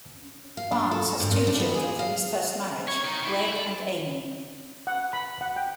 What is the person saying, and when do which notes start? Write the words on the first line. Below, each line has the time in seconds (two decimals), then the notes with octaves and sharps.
Barnes has two children from his first marriage, Greg and Amy.
0.57 F5
0.72 D4
0.91 A4
1.20 G2
1.31 A#2
1.47 D4
1.60 B3
1.74 G#4
1.99 F5
2.88 C#5
3.04 D#3
3.23 E3
3.39 E4
3.53 A4
4.87 F#5
5.13 B5
5.41 F#5
5.56 G5